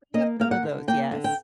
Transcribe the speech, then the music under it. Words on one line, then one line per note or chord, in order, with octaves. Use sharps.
we have some of those. Yes.
A#3 D#5
A#3 F5
F#5
D3
A#3 G5
D3
G5